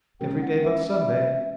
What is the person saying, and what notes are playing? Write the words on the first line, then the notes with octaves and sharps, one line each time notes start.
"Every day but Sunday."
E3 G#3 C#4 F#4 A#4 G5
F#5
E5
E5